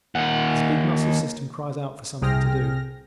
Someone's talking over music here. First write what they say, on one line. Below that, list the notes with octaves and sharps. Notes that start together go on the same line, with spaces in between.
His big muscle system cries out for something to do.
D#2 F#5
C2 C3 G#4 G5 F6 A#6